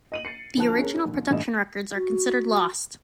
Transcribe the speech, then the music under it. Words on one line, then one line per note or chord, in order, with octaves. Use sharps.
The original production records are considered lost.
D#5 D#7 F#7
A6 C7 C#7
D2 F3 A5 F#6 F7
C#4 G#4 A#4
A#1 D#2
A1 G2 A3 D4 D#5 E7
F#4